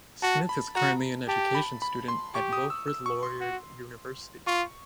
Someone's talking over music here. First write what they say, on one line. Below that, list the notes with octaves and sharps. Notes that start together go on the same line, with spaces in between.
Smith is currently an education student at Wilfrid Laurier University.
F#4 A5
B5
F#4 A#5
G4 A5
B5
B5
C6
G4 C#6
D#6
E6
E6
C#6
C6
F#4
F4 C#6